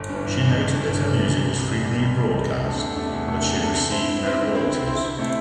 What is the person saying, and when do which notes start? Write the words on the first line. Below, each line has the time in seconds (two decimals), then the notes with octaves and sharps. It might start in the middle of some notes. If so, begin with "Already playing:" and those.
She noted that her music was frequently broadcast, but she had received no royalties.
Already playing: G1
0.09 G2 E3
0.24 G1
0.40 G2 E3
0.57 G1
0.73 G2 E3
0.88 G1
1.05 G2 E3
1.21 C2
1.36 C3 G3
1.53 C2
1.68 C3 G3
1.84 C2
2.00 C3 G3
2.16 C2
2.32 C3 G3
2.48 E2
2.64 C3 A3 D4 A4
2.80 E2
2.96 C3 A3 D4 A4
3.12 E2
3.27 C3 A3 D4 A4
3.43 E2
3.59 C3 A3 D4 A4
3.75 D3
3.91 C4 E4 C5
4.07 D3
4.24 C4 E4 C5
4.39 D3
4.55 C4 E4 C5
4.71 D3
4.87 C4 E4 C5
5.03 C3
5.19 A3 C4 E4 C5